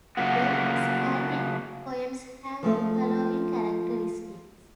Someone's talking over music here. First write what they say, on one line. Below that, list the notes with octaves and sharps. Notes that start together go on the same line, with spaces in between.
The skaldic poems have the following characteristics.
C#3 F#3 A3 A#3 F4 F#4
F3 G#3 A3